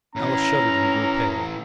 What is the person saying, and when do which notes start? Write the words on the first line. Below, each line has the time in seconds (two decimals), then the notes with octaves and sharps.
Alice shuddered and grew pale.
0.16 A2 E3 C#4 A#5